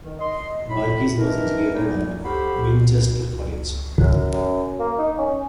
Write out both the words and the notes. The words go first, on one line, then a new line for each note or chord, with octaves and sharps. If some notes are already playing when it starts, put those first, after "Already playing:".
Burges was educated at Winchester College.
D#3
D#5 C6
A2 B5
D#3 E3 D4 A#4
F#2 A#2 G3 A3 B3 D#4
F#4 G4 A4 C5 F5 B5
F#2
F#2
A#3
D#4
C#4